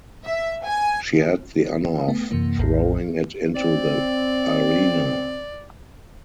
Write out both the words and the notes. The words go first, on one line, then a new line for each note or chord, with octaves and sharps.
She had the honor of throwing it into the arena.
E5
G#5
A3 B3
F#2 C3 E3 A#3
A1 E2 A2
C4 D5